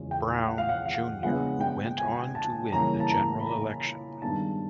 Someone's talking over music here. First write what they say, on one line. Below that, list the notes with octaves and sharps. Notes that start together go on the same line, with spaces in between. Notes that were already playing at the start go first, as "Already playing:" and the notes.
Brown, Junior who went on to win the general election.
Already playing: E2 C#3 F3 G#3
G5
F#5
F5
F#5
F5
C#3 F3 G#3 B3 D4 F#5
G5
G#5
A5
C#3 E3 G3 A#3 C#4 A#5
A5
A#5
B5
A#5
G2 D#3 G#3 B3 D4 A5